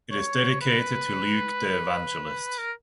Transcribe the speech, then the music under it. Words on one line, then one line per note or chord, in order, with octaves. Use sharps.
It is dedicated to Luke the Evangelist.
C#5
B4
A#4